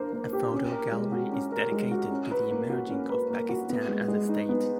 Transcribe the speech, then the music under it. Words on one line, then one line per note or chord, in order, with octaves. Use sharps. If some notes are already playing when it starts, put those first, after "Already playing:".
A photo gallery is dedicated to the emerging of Pakistan as a state.
Already playing: A#3 D4 C5
A#3
G4
C#4
A#4
G#3
F#4
C#4
A#4
G#3
F#4
C#4
B4
A#3
F#4
C#4
B4
A#3
F#4
B3
G#3
G#3
D#4
B3